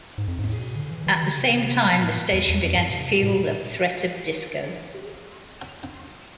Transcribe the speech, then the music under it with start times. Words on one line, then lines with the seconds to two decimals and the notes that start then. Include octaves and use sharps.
At the same time, the station began to feel the threat of disco.
0.18 G#2
0.28 F2
0.39 G#2
0.48 A2
0.59 B2
0.76 D3
0.91 E3
1.07 E3
1.23 D3
1.39 C3
1.85 B2
2.01 A2
2.33 E2
2.50 E2
2.65 F2
2.76 G#2
2.81 F2
2.90 B2
2.97 C3
3.12 B2
3.23 A2
3.33 B2